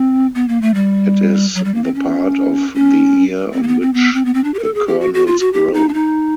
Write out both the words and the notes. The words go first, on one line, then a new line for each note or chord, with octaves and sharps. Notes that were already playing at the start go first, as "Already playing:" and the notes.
It is the part of the ear on which the kernels grow.
Already playing: C4
B3
A#3
A3
G3
F#3
G3
A#3
C4
C#4
C#4
C4
A#3
B3
C4
B3
C4
B3
C4
D4
G4
A#4
A4
G#4
G4
F#4
F#4
F4
F#4
G4
D#4
D4
D#4